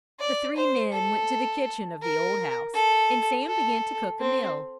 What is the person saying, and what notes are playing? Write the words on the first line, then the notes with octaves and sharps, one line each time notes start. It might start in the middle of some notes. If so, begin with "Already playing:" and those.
The three men went to the kitchen of the old house, and Sam began to cook a meal.
D5
C5
A4
A#4
A4
A4
C4